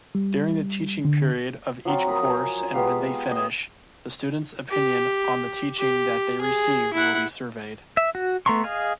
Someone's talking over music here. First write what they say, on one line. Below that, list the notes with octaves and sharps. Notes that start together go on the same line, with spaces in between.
During the teaching period of each course and when they finish, the students’ opinion on the teaching that they received will be surveyed.
G3
D3
F3 F#3 C4 F4
A#4 B5 D#6
G#5
G#3 B3 G4 F5
D#5
G4
G4
G#4
E4 F#5
E5
F#4
A3 B3 A#5 C6 C#6
G#4 D#5 F5